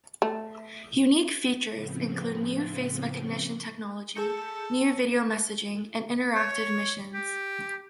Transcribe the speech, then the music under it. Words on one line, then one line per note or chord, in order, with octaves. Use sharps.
Unique features include new face recognition technology, new video messaging, and interactive missions.
A3
A2 C#3 F3 B3 C4
G#4 A4 G6 C#7
C#5
G4